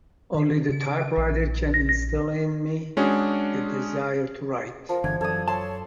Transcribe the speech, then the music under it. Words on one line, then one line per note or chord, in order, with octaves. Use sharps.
Only the typewriter can instil in me the desire to write.
D#3
C#3
A#1
G#3 C#4 D4 F#4 G#4
F3 A#4
G1 E2 D3 G#6
F#2 A4 D5 D#6 G#6
C#5 A5 C6 E6